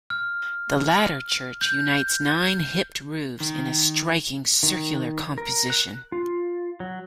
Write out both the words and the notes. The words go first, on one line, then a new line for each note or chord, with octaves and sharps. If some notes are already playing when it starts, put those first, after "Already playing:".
The latter church unites nine hipped roofs in a striking circular composition.
F6
G6
D#3
D#3
A#4
F#6
F4
F#3